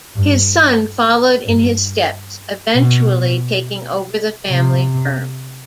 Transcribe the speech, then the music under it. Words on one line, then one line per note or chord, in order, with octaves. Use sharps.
His son followed in his steps, eventually taking over the family firm.
G2
G2
B2
C3